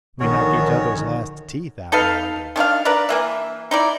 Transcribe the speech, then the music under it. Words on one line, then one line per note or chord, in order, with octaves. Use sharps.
We knock each other's last teeth out nowadays.
A#1 D3 D#3 C#4 F#4 C#5
D#4 A4 B4 F5
D#3 D4 E4 F5
D4 A#4 B4 D5
E3 A#3 E5
D#4 E4 D5